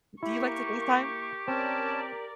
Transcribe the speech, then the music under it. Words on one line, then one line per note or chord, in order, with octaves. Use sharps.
Do you like to FaceTime?
A#3 E4 G4 C#6
C4 C#4 A#4 D5 A5